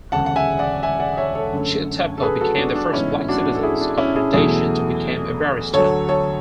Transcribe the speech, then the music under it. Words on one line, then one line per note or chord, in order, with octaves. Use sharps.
Chitepo became the first black citizen of Rhodesia to become a barrister.
E1 D2 C#3 F#5 A5
F#5
E5 G#5
D5 F#5
E5 G#5
D5 F#5
C#5 E5
A4 C#5
F#2 D3 A3
A4
G#4 B4
F#4 A4
D4 F#4
D4
A1 G#2 G#3 B3 C#4 E4
D4 F#4
A4
E4 G#4
D4
C#4 E4
E4 G#4
E2 B2 F#3 A3 E4 G#4
D2 D3 F#3 A4 C#5
A4 C#5